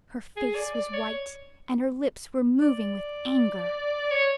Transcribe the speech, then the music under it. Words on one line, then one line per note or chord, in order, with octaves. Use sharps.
Her face was white and her lips were moving with anger.
G#4
D5
D5
C#5
D5
C#5